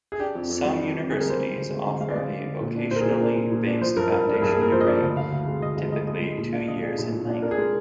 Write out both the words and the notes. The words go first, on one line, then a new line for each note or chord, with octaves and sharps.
Some universities offer a vocationally based Foundation degree, typically two years in length.
G#4
D4 G4
F2
F2
G3
D4
F2
D3 G#4
A#4
G3 C5
G#3
D2
G#3
D3
G#3 F5
D5
G#3 D#5
G#3
D3
A#2
D4
A#2 C5
A#4
G#4
A#2
A#4
D4
A#2
A#2
D4
F3 C5
G2 A#4
G2 A#4
D4
A#4
G2 G#4
G#4
A#3 A#4
F3 C5
D#5
D4 D5
D2
D2 F5
D2
G#3
D2 D#5
G#3 F5
D2 D#5
G#3 D#5
G#3
A#2
D4 F5
D4 D#5
D4 G#4
A#2
A#2
D4
D4 A#4
G#4
G#3 A#4